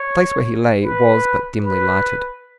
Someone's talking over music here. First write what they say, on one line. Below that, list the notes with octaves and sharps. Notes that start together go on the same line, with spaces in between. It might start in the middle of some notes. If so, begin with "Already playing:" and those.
The place where he lay was but dimly lighted.
Already playing: C#5
B4
B4